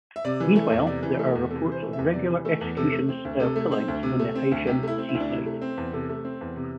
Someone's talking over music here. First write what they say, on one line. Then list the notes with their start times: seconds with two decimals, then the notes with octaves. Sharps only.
Meanwhile, there are reports of regular execution-style killings on the Haitian seaside.
0.16 E5
0.24 C3 D5
0.40 E3
0.56 A3
0.72 E2
0.87 C3 D5
1.03 E3
1.19 A3
1.35 E2
1.50 C3 A4
1.66 E3
1.72 C5
1.83 A3
1.93 E5
1.98 E2
2.14 C3 D5
2.30 E3
2.45 A3 A4
2.61 E2 A4
2.77 C3 A4
2.92 A3
3.09 C4
3.25 D2
3.40 C3 A4
3.56 A3
3.72 C4
3.88 D2
4.03 C3
4.20 A3
4.35 C4
4.52 D2
4.67 C3 G4
4.83 A3 E4
4.98 C4
5.09 E4
5.15 D2
5.20 D4
5.29 C3 E4
5.46 A3
5.62 C4
5.77 E2
5.93 C3 A4
6.09 A3
6.25 C4
6.41 E2
6.56 C3